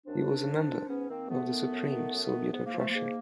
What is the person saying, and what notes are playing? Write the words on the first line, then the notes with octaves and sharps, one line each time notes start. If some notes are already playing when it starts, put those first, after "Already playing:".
He was a member of the Supreme Soviet of Russia.
F#2 C4 D4
D#3
F#2
D#3
G#2 B3 C#4
D#3 A#3 C4
G#2 A3 B3
D#3
F#2
D#3
F#2
D#3
G#2 B3
A#3
F3 A3
A#3
G#2